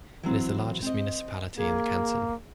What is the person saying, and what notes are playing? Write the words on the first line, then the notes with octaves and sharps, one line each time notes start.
It is the largest municipality in the canton.
E3 F#3 C4
C4 D#5
A#3 G#4